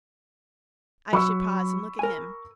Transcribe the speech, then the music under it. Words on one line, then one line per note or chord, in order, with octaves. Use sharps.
I should pause and look at him.
F#3 B5 C#6 E6
A#4 G#5